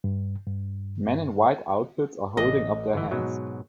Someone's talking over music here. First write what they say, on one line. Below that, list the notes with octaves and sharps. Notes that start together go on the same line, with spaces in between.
Men in white outfits are holding up their hands.
G2
G2
A1 D5 D#5
G1 E3
G#2 B2 F#3